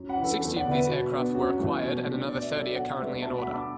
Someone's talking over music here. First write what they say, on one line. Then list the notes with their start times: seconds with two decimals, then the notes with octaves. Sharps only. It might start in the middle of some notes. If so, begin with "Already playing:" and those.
Sixty of these aircraft were acquired and another thirty are currently in order.
Already playing: F#2
0.09 F#5 B5
0.17 E3 D4 B4
0.24 A4
0.41 E2 A4
0.56 D5 F#5
0.64 D3 B3
0.71 B4 E5
0.87 B2 F#4
1.11 B3 D4
1.34 F#2 F#4
1.58 E3 A3
1.82 B2
2.06 A3 D4
2.29 B2 D5
2.42 E5
2.52 F#3 D4 A4 D5
2.75 B2 D5 F#5
2.94 D5
2.99 A3 D4 B4 E5
3.22 B2 E5 A5
3.38 F#5 B5
3.46 A3 D4 E6
3.54 A5 D6